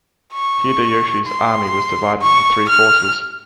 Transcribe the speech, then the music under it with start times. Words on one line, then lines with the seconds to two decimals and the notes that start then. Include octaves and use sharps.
Hideyoshi's army was divided into three forces.
0.33 C#6
1.27 C6
2.21 C#6
2.69 F6